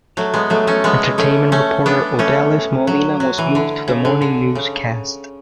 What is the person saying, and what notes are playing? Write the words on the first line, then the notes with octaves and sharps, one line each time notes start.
Entertainment reporter Odalys Molina was moved to the morning newscast.
F#3 A3
G#3 B3
F#3 A3
A3 C#4
G#3 B3
A3 C#4
A3 C#4
B3 D4
A3 C#4
F#3
F#3
E3
D3
C#3
D3
D3
C#3